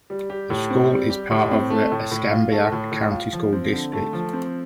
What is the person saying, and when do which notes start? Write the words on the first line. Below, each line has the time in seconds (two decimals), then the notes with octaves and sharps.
The school is part of the Escambia County School District.
0.10 G3
0.30 G4
0.50 A2
0.70 C4
0.91 G3
1.10 G4
1.31 A2
1.51 C4
1.70 A3
1.92 A2
2.11 A2
2.31 F4
2.52 A3
2.72 A2
2.92 A2
3.11 F4
3.33 F3
3.53 C4
3.73 D3
3.93 A3
4.13 F3
4.33 C4